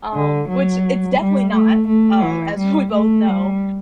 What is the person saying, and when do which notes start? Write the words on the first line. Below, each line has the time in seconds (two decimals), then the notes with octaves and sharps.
um, which it's definitely not, um, as we both know,
0.14 D3
0.49 F#3
1.19 G3
1.53 A3
1.88 A3
2.23 E3
2.58 G3
2.93 A3
3.27 G3